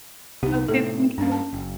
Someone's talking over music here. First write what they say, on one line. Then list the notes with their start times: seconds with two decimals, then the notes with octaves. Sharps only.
Okay, thank you."
0.43 C2 C3 B3 D#4 G4
0.68 A2 C3 B3 A4
1.18 G2 A#3 C#4 D4
1.32 A5
1.53 F#1